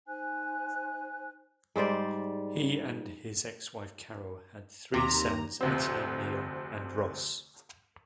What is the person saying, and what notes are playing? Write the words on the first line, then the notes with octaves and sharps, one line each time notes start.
He and his ex-wife Carol had three sons Anthony, Neil, and Ross.
D#4 C5 G#5 F#6
G#2 G3 C5 D5
D#2 C3 A#5
F1 D2 C4